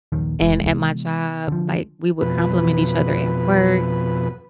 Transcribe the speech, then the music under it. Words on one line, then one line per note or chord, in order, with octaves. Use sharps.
and at my job, like, we would compliment each other at work,
A#1 D#2 D#3
F1 E3 G#3
C3 B3
D3 F3
F2 B2 B4